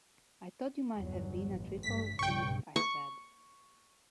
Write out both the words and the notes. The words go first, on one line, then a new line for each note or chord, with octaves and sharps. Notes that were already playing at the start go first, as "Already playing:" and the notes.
"I thought you might have been a trifle peeved," I said.
G1 E2 F#3
A1
G2 A3 B6
B1 G2 C#3 G5 C#6
C#6